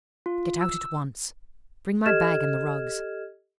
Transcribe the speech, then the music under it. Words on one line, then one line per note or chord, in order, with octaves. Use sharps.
Get out at once! Bring my bag and the rugs!
F4
E6
G4 A4 D#5 F6 G#6 E7